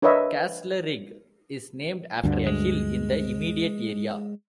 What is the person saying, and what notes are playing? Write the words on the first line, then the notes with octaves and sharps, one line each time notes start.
Castlerigg is named after a hill in the immediate area.
D4 A#4 B4 C#5 D#5 E5
D2 G2 D3
G#3